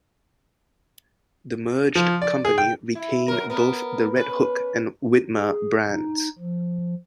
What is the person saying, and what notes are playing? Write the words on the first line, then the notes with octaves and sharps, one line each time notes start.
The merged company retained both the Redhook and Widmer brands.
F3
D5
G#4
G5
E4
F#3 A#4
B3 A#4
C#4 B4
G#4
D#4
F3